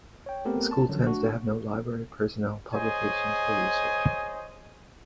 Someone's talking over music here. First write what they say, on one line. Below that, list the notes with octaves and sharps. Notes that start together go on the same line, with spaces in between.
The school tends to have no library, personnel, publications or research.
C#5 G5
A3 B3 C4 G4 A4 A#4
A5
D3 F3 F#3 C#4
A3 D4 F#4
G#4 C5 C#5 D#5 G#5